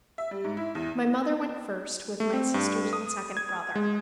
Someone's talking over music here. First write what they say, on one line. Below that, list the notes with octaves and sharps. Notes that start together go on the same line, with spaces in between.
My mother went first, with my sisters and second brother.
E5
G3
G#2
E4
E2
A3
C4
G2
D#6
G#6
G#3